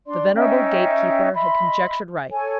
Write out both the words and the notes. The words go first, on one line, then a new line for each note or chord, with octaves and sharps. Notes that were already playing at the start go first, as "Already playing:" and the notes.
The venerable gate-keeper had conjectured right.
D4 D5 C6
C#4 D#4 E5 G5
D#5 E5 B5 C6
A4 C#5 G#5